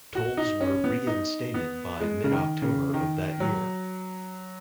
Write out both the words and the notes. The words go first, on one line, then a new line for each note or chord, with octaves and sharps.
Tolls were reinstated by mid-October of that year.
F#4
D#4
C#4
B3
D#4
B3
G#3
C#3
D#3
C#3
D#3
F#3